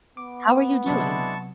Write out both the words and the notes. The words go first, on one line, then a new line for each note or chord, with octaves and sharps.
How are you doing?
B3 D6
C3 F#3 G#3 D4 E4 A5 C#6